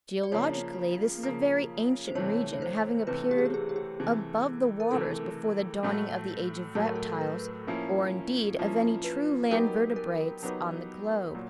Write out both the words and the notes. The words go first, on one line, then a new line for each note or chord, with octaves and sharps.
Geologically this is a very ancient region, having appeared above the waters before the dawning of the age of reptiles, or, indeed, of any true land vertebrates on the globe.
D5
C#3 F3 A#3 C#5
C#3 F3 A#3
C5
C3 E3 A3 C#5
C#5
C5
C3 E3 A3 B4
G4
G#4
G4
G#4
G4
G#4
C3 E3 A3
A#4
C3 E3 A3 A4
A2 F#3 A3
A2 F#3 A3 A4
A#4
A4
B4
F3 A#3 C#4 E4
F3 A#3 C#4 E4
B4
F#3 B3 D#4 G4 A#4 B4
A#4
F#3 B3 D#4 G4 B4
A#2 F#3